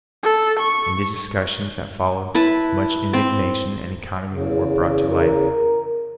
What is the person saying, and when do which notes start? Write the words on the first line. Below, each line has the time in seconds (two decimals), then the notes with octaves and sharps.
In the discussions that followed much indignation and economy were brought to light.
0.23 A4
0.59 C#6
2.35 E4 B4 A5
3.13 C4
4.31 E2 C#3
5.10 A#4